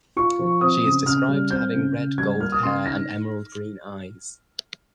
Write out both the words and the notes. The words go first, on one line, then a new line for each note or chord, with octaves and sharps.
She is described having red-gold hair and emerald green eyes.
F4 C#6
F3
C4 D#6
C#3
C#3 F6
G3
C4 G6
C#3
C#3
G3 G#6
A#3 F6
D#6
C#3 C6
D#4 A#6